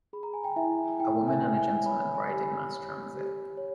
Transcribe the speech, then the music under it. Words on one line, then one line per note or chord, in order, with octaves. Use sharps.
A woman and a gentleman riding mass transit.
G#4 B5
A#5
G#5
G5 A#5
E4 E5 G#5
E4 G5
E5 G#5
B4
E5 G#5
C#5 G#5 B5
G#5 B5
G4
G#5 B5
C#5
G4
C#5